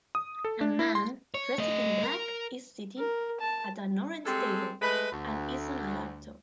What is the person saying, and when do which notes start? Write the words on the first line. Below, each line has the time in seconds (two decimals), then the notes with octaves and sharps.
A man dressed in black is sitting at an orange table and is on a laptop.
0.15 D#6
0.45 A4
0.61 D4
0.79 E4
0.95 C6
1.34 C#5
1.58 A3 D#5
2.03 A#4
2.98 A#4
3.41 A5
4.25 G3 G#3 C4 A4
4.82 G#3 A3 B4
5.11 D2